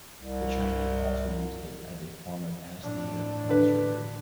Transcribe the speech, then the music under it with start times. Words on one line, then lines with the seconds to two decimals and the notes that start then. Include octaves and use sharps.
The Chinese also used it as a form of anesthesia during surgery.
0.22 C2
2.81 A2 D4
3.49 D3 B4